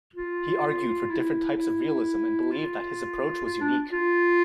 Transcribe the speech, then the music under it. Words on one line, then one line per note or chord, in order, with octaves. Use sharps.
He argued for different types of realism and believed that his approach was unique.
F4
E4
E4
F4
F4
D4
F4